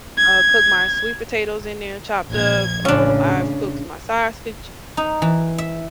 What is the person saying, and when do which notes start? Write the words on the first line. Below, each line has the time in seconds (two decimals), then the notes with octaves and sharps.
uh, cook my sweet potatoes in there, chopped up, um, I've cooked my sausage,
0.18 G#6
2.29 A#1 G#6
2.85 A1 C#3 C#4 D4
4.97 D#4
5.22 E3
5.58 E5